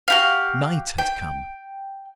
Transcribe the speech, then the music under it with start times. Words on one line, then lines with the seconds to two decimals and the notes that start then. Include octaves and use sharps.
Night had come.
0.08 F#4 G4 F5
0.98 G5